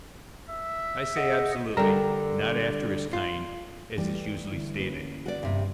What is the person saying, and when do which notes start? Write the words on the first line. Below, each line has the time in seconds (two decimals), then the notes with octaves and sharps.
I say absolutely, not after his kind, as is usually stated.
0.50 E5
1.16 G#4 D#5 F#5
1.77 D3 G3 A#4 E5 A#5
3.13 F4
3.98 E3 G3 A3
4.52 D3 E4
4.79 A#3 C#4 B4
5.26 F#4 D5
5.43 G2 C3 G3